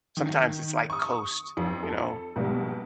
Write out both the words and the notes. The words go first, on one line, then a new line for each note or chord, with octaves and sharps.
Sometimes it's like coast, you know,
D#3
C#6 D#6
F2 F3 C4
A4
A#1 G#2 B2 G3